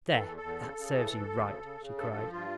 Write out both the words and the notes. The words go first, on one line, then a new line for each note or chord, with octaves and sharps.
"There! that serves you right," she cried.
E3
A4
E2
A4
E2
C#3
C#3
E3
D2
D2
C#3
C#3
C#3
G2 A4
F3
G2 F4